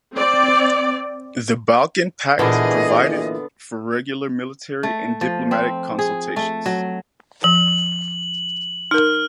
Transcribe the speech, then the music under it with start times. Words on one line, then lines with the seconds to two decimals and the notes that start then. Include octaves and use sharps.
The Balkan Pact provided for regular military and diplomatic consultations.
0.15 C4 D5
2.39 A#2 D3 E3 B3 E4 G#4 D5 D#5
4.83 A3
5.21 F3
5.51 C4
5.99 G#4
6.36 A3
6.66 F#3
7.44 F3 F#7
8.91 D#4 A#4 F6